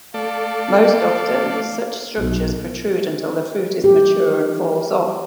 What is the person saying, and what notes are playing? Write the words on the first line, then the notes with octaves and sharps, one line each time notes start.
Most often such structures protrude until the fruit is mature and falls off.
A3 A4 D5 F5
B1
G4